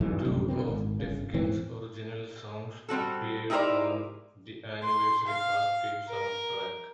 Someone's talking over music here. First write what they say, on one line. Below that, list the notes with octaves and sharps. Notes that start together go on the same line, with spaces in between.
Two of Tefkin's original songs appeared on "The Anniversary Party" soundtrack.
D#1 B1 G2 E3
A1 F#2 D3 G3
B2 D3 D#3 C4
G#1
G1 C#3
E2 G#2 E3 C4
G3 C4 F#4 A4
D#4 E4 G4 A#4 C5 D5
C6
F5
A#4